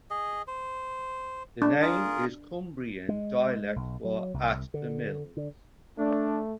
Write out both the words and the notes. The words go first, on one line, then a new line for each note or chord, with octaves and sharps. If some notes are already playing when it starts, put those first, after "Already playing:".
The name is Cumbrian dialect for "At the mills".
G#4 D#5
C5
D4
F4 G#4 A#4
G#3
B1
F#3
C2
D3
D3
A3 D4